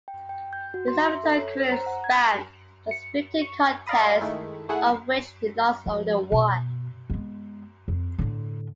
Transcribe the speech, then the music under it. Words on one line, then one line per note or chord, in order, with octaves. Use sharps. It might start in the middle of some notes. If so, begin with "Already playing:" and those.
His amateur career spanned just fifteen contests, of which he lost only one.
G5
G5
G6
F#4
C6
E5
A4
C#5
C5
A#5
F#5
G#6
C#7
C#6
D5 D#5 F5 A#5 B5 D#6
D#3 G#3 A3 E4
A3 E4 G#4 F#5
F3
B2
G#3 B3
F2
A2 D3